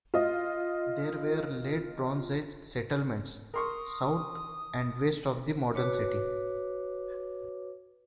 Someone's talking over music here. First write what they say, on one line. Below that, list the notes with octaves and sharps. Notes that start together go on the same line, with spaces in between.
There were late Bronze Age settlements south and west of the modern city.
F4 D#5
A#4 C6 C#6 D#6
F#4 B4 C#5 D6